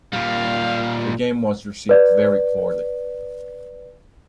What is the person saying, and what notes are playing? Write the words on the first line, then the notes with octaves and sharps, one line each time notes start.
The game was received very poorly.
A#2 G3 F5
B4 D5